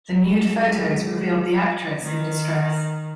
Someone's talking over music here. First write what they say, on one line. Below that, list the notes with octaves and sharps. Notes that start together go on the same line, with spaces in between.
The nude photos revealed the actress in distress.
F#3 G#3
D#3